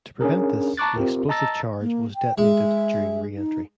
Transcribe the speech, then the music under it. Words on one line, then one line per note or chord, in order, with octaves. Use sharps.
To prevent this, an explosive charge was detonated during reentry.
C#4 D4 G#4 A#4
A5 A#5 C#6 D6 F#6 A6
C4 F4 G4 A#4
D#5 A5 A#5 E6 A6 A#6
A#3
G5
G#3 E5
D#4